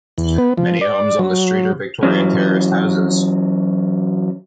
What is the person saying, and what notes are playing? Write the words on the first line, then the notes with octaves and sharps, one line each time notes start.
Many homes on the streets are Victorian terraced houses.
E2
B3
F3
D5
F#3
E3 F#3 C#4